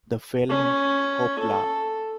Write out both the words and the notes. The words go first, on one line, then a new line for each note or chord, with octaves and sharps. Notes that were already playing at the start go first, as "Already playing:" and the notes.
The film Hoppla!
C#4
A4